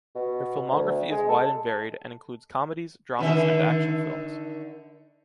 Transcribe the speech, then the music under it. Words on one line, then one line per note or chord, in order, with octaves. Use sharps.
Their filmography is wide and varied, and includes comedies, dramas and action films.
B2
D2
G#3
A4
D3 D#3 E5